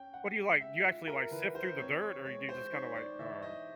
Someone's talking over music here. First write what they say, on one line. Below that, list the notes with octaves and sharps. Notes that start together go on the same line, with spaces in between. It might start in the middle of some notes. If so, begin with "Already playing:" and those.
What do you like, do you actually, like, sift through the dirt, or do you just kinda like um,
Already playing: C#4 G5
F#5
G#3
E5
F4 E5
A#4
E3 B4
C5
C4 C#5
C#5
G#3 C#5
C5
D#4 C#5
D5
E3 E5
D#5